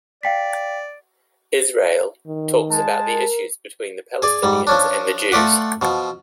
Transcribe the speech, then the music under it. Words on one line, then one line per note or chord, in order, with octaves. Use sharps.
"Israel" talks about the issues between the Palestinians and the Jews.
D5 F5 G5 B6
D#3
G#3 A5
A#4
G#4 D5
G#2 G3
F3 C#4 D4
A3 F4 D5 F#5
B2 F3